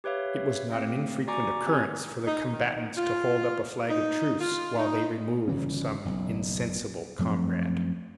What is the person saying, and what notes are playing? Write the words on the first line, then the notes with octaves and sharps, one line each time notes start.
It was not an infrequent occurrence for the combatants to hold up a flag of truce while they removed some insensible comrade.
G4 B4 C#5 E5 F5
A3 C4 F5
F#4 D5 G#5 A#5 C#6 D6
C4 G4 E5 G#5 G#6
D#4
D#3
F4
D#4
F4
D#4
G1 C#3 E3 C#4
F#1 B1
F#2 F3 A3 C4